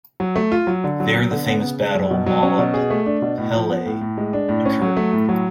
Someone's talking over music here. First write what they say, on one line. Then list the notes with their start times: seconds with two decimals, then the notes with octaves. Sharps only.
There the famous battle "Mala Pelea" occurred.
0.20 F#3
0.36 A3
0.52 F4
0.67 F#3
0.84 D3
1.00 F#3
1.16 B3
1.31 D3
1.47 B3
1.63 C#3
1.79 G#3
1.95 F#2
2.11 B2
2.26 F#3
2.43 C#4
2.59 B2
2.74 G#4
2.90 A3
3.06 D4
3.22 B2
3.38 A2
3.54 F3
3.70 B3
3.86 A2
4.01 A2
4.18 G#3
4.33 D4
4.49 A2
4.66 C#4
4.82 F#3
4.97 A3
5.13 A2
5.29 F#3